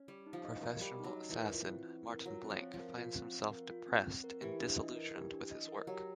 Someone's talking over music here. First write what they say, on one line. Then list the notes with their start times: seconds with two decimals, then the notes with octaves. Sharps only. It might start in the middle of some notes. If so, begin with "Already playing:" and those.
Professional assassin Martin Blank finds himself depressed and disillusioned with his work.
Already playing: C#4
0.08 G3 G4
0.27 D#4
0.33 F3
0.45 D#5
0.62 A#4
0.81 G3 G4
0.99 F#3 D#4
1.16 D#5
1.29 E3
1.34 A#4
1.53 F4
1.71 C4
1.89 C4
2.08 A#4
2.25 F#3 F4
2.43 C4
2.50 F3
2.62 C4
2.74 F3
2.80 A#4
2.98 F4
3.15 C4
3.34 C4
3.52 A#4
3.70 F4
3.88 C4
4.06 C4
4.24 A#4
4.42 E3 G4
4.61 D4
4.78 D#5
4.96 A#4
5.15 G4
5.33 D4
5.51 D#5
5.68 A#4
5.87 F#3 G4